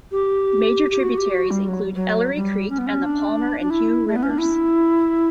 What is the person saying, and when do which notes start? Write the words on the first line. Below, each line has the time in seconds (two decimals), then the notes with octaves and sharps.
Major tributaries include Ellery Creek, and the Palmer and Hugh Rivers.
0.12 G4
0.91 G4
1.00 F#4
1.18 G4
1.34 F#4
1.51 G3
1.68 F#3
1.95 F#3
2.36 G3
2.70 C#4
2.78 B3
2.87 C#4
3.03 D4
3.60 D4
3.70 E4
4.08 A3
4.16 B3
4.23 C#4
4.30 D4
4.38 E4